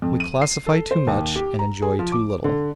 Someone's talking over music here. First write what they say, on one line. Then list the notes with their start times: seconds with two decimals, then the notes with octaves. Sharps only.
We classify too much and enjoy too little.
0.02 F2
0.20 D#7
0.42 C7
0.66 A4
0.91 C5
1.07 D#2
1.36 G4
1.59 A#5
1.82 G#4
1.99 F3
2.12 D6
2.44 D3